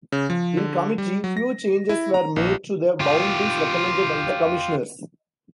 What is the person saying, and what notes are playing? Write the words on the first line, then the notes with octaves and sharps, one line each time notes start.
In committee few changes were made to the boundaries recommended by the commissioners.
C#3
F3
D3
G3
F#3
A#6
E4
A#5
A#1
F4 G4